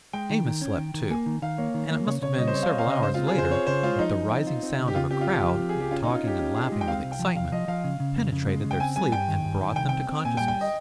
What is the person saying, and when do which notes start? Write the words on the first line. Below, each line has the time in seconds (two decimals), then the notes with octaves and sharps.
Amos slept too, and it must have been several hours later that the rising sound of a crowd talking and laughing with excitement penetrated their sleep and brought them to consciousness.
0.13 G#3 G5
0.30 D#3
0.46 D#3
0.62 C#4
0.78 D#3
0.94 D#3
1.10 A#3 G#5
1.26 D#3
1.42 D#3 F5
1.58 A#3 C#5
1.74 D#3
1.90 A#3
2.06 C#3 C#5
2.22 C#3 C#5
2.38 G3 D#5
2.47 C5
2.54 C4 C#5
2.63 F5
2.67 D#5
2.71 C4
2.78 F5
2.87 C#3 D#5
3.03 G#3 C5
3.14 F4
3.19 C4
3.27 G#4
3.35 C#3 C5
3.45 C5
3.50 C4 C#5
3.67 C#3 C5
3.83 G#3 F4
3.99 F3 D#4
4.15 F3
4.31 C4
4.47 F4
4.63 C4
4.79 C#3
4.88 G4
4.95 C#3 F4
5.11 C4 G4
5.21 F4
5.27 C#2 G4
5.43 F3
5.59 C4
5.69 G#4
5.75 C#2 G4
5.91 C#4 F4
6.04 D#4
6.07 C#4
6.15 F4
6.24 C#4 G4
6.39 C#4
6.56 G#4
6.72 G#3
6.81 G5
6.88 C4 F5
7.04 C2
7.12 G5
7.20 F3
7.36 C2 F5
7.52 F3 D#5
7.68 F3 F5
7.84 C#3
8.00 C#3
8.16 F2
8.32 C#3
8.48 G#3
8.65 C#3
8.71 G5
8.80 C4 G#5
8.96 G3 G#5
9.12 G2 G5
9.28 D#3
9.44 G2
9.60 D#3
9.76 C2 G5
9.89 G5
9.93 C4
10.09 C4
10.25 A#2 G#5
10.37 G5
10.40 G3
10.48 G5
10.61 D#5